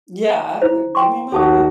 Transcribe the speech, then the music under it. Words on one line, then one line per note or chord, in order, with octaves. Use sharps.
Yeah. Give me money.
E4 C5
G5 C6 C#6
D#2 F#4 A4 A5 D#6